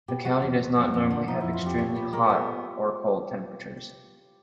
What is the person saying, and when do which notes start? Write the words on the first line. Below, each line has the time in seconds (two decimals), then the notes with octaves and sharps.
The county does not normally have extremely hot or cold temperatures.
0.08 B2 G4
0.25 G#3 F#4
0.42 E2
0.59 E2
0.76 F2
0.94 F2
1.10 D3
1.28 F3 D#4
1.41 F2 E4
1.53 F4
1.62 F2 G4
1.78 B2 C#5
1.96 B2 B4
2.13 G#3 A#4
2.29 B3 A4